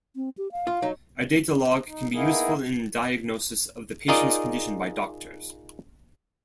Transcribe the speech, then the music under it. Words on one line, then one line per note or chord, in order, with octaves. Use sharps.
A data log can be useful in diagnosis of the patient's condition by doctors.
C4
G4
F5
F4
F#3 D#4
D#4
A#3 B3 D#4 E4 G#4 A#4
D#4 F4 G#4 A#4 D5 D#5